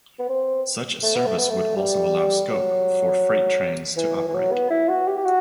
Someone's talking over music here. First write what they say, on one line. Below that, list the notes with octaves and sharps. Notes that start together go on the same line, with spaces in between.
Such a service would also allow scope for freight trains to operate.
B3
C4
A3
B3
A3
B3
A3
G3
F#3
E3
E3
E3
F#3
B3
E4
F#4
G4
G4
F#4